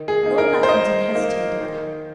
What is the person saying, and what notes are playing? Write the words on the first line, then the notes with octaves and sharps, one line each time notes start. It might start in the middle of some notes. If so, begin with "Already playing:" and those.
Lord Lackington hesitated.
Already playing: D#3
G#4
A#3 D#4
A#4
C5
D#3 D#5
A#3 D#4
D#3